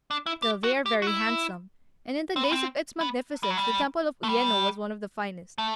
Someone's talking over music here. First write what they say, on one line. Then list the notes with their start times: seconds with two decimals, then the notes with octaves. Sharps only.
Still they are very handsome, and in the days of its magnificence the Temple of Uyeno was one of the finest.
0.11 D4
0.26 E4
0.42 G4
0.64 F#4
0.86 G4
1.02 F#4
1.07 E4
2.36 C4
2.44 B3
2.51 C4
3.01 B3
3.43 G3
3.50 F#3
3.58 G3
4.24 A3
4.29 G3
5.58 A3